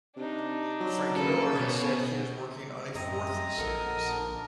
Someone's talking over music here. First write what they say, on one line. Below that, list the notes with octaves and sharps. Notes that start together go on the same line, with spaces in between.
Frank Miller has said he is working on a fourth series.
C3 D4 D#4
F#3
C#3 A#3 A4 B4
B2 C#4
F#2 A2 C4 D#5 E5 A#5 D#6
A#1 A4 A#4 F#5
D3 D4